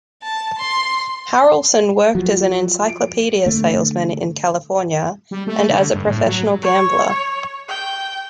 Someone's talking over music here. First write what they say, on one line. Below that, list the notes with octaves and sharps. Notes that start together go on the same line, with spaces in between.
Harrelson worked as an encyclopedia salesman in California and as a professional gambler.
A5
C6
F3 F#3
D7
D3 A3
G3
A3
D3
G2
A2
F#3
C#5
G5